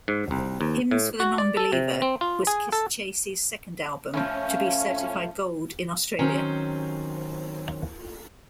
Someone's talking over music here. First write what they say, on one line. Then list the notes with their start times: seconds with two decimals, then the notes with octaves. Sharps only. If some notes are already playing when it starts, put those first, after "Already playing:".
"Hymns for the Nonbeliever" was Kisschasy's second album to be certified gold in Australia.
0.08 G#2
0.31 C2
0.61 D#2
0.91 A2
1.20 F#4
1.38 D5
1.57 A4
1.73 C3
2.02 C4
2.21 F4
2.47 G#4
2.72 A4
4.14 A2 D3 F3 C#4
6.19 D#3 F#3 C4 C#4 C5